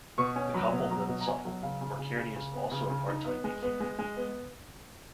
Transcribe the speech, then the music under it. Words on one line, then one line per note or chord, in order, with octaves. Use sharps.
The couple live in Suffolk, where Kearney is also a part-time beekeeper.
B2 C#6
C#4
F#3 B5
B2
F#3 A#5
B2
A#5
B2 G#5
F#3
C#3 F5
C#3
C#3
C#3
C#3
B3
C#3
C#3
D#4
B3
G#3
B3
G#3
G#3
B3